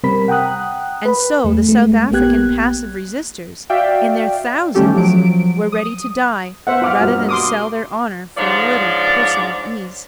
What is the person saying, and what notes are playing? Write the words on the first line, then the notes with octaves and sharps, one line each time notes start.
And so the South African passive resisters in their thousands were ready to die rather than sell their honour for a little personal ease.
C3 G3 C4 A#4 B5 B6
F#5 G5 A#5 D#6 F#6
B4 B5
E2 A3
G#3 A3
A#1 A#3 B3 G4 F#6 G#6
F#4 D5 E5 F5 G5
D#3 G3 A3 C#4 G4 A4
F3 F#3 D7
D#6
B3 C5 E5 F#5
F4 F#5 D6 F6
G2 B2 A#3
C6 D6 D#6
G#2 F3 D4 C#5 D5